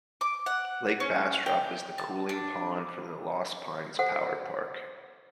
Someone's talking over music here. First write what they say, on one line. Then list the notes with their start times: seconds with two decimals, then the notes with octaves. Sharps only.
Lake Bastrop is the cooling pond for the Lost Pines Power Park.
0.21 D6
0.46 F#5
1.00 C#4
1.46 G5
1.98 A5
2.29 D4
3.99 A4 C5 F#5